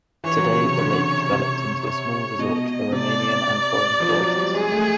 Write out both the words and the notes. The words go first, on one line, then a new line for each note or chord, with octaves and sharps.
Today the lake developed into a small resort for Romanian and foreign tourists.
E3 C#5
F#3
C#3
C3
D3
C3
C#5
B2 D#5
C3 D5
F3
F#3
G3
G#3 G#4
A3